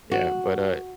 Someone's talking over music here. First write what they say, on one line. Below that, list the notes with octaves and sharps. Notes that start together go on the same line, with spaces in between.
yeah, but uh
F#4